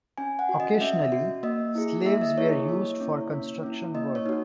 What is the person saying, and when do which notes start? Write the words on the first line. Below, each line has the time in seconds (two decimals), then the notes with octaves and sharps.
Occasionally, slaves were used for construction work.
0.18 C#4 G#5
0.39 F#5
0.49 F#4
0.60 D#5
0.81 C#4 E5
1.12 F#4
1.43 A#3 D#5
1.75 E4 G#4
2.06 A#3 E5
2.22 D#5
2.37 E4 G#4 C#5
2.53 C#5
2.69 A#3
3.00 C#4 E4
3.32 A#3
3.63 C#4 E4
3.94 A#3 D#5
4.15 C#5
4.26 D#4 F#4